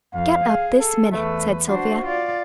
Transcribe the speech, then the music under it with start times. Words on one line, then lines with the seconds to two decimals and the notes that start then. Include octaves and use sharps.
"Get up this minute," said Sylvia.
0.14 F2 F5
0.45 G#4
0.80 A4
1.12 E2 A3 B4
1.69 D4 F#4 C5
2.03 F4 D5